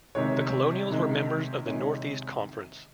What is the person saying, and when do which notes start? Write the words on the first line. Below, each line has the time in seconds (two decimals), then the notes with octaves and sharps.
The Colonials were members of the Northeast Conference.
0.15 C3 D#3 G#3 C#5
0.90 C3 D#3 G#3
1.66 C3 D#3 G#3 C#5